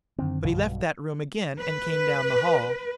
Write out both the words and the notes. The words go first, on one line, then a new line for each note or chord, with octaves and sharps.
"But he left that room again and came down the hall."
F#2 D3 D#3 C4
B1 G2 B2
B4